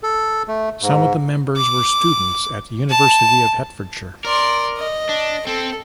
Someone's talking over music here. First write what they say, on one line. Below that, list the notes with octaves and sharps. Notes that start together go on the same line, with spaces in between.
Some of the members were students at University of Hertfordshire.
A4
A3
G#2
D6
A5
A#4 D5 C6
D#5
D4
C4 A4